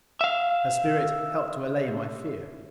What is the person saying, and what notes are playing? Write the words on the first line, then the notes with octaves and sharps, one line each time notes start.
Her spirit helped to allay my fear.
E5 F5